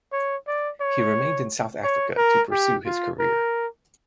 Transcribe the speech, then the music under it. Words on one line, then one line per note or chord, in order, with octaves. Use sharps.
He remained in South Africa to pursue his career.
C#5
D5
C#5
C#5
A#4
G4
F4
A#4